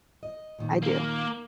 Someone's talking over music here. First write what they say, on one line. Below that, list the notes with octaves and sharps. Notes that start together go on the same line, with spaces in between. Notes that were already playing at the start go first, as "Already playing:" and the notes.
I do.
D#5
A#2 D#3
A#3